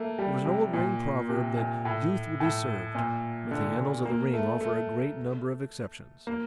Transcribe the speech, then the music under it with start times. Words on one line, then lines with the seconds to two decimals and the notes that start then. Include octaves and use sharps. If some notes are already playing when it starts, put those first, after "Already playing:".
There was an old ring proverb that "Youth will be served," but the annals of the ring offer a great number of exceptions.
Already playing: A3 A#3
0.19 G3
0.46 C3
0.73 A#2
1.30 C3
1.57 A#2
1.85 A2
2.40 A2
2.95 A#2
3.51 D3
4.05 A#3
4.34 A3
4.61 A3
6.27 A#3